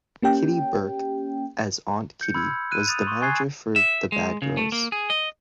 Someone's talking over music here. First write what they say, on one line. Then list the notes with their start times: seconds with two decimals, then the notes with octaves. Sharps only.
Kitty Burke as Aunt Kitty, was the manager for the Bad Girls.
0.22 A#3 C#4 G4 G5
2.21 G6 C#7
2.34 B5 C6 E6 F6 G#6
2.71 F#6 D#7
2.87 D#6 A6 F7
3.07 C6 C#6 D#6
3.22 G#5 C#6 F#6 G#6 A6 C7
3.76 E5
4.12 G#3
4.42 C#3
4.57 A3
4.72 A#3
4.92 G#4
5.10 D#5